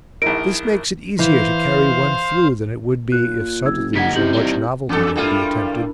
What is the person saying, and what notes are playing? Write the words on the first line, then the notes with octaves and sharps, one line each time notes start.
This makes it easier to carry one through than it would be if subtleties or much novelty were to be attempted.
A#1 D#4 E4 A#4 D7
E3 C5 F5
A#2 F#6
F#1 E4 E6 G#6
C#3 D#4 F#5 G#6 B6
C3 E4 G6 F#7
G3 D#4
E2 D4 A4
G2 G3 E4 F4 A#4